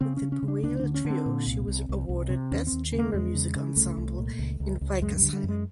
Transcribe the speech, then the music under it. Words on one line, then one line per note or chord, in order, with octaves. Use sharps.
With the "Puella Trio" she was awarded best chamber music ensemble in Weikersheim.
C#3 C4
C#4
C#3
C#4
C#3
D4
D2 D4
D3 D4
C#4
D3
C4
A#2
C2
C2
C2
C2
C3
D#2 C#4
C4
D#2
C#3
A#3
E2 G#3
C#3
C#3
C2 A3
C2
A#2
C#2
C#2
C#2
F#2 G#3
G3
D3
G3
F#2
G#3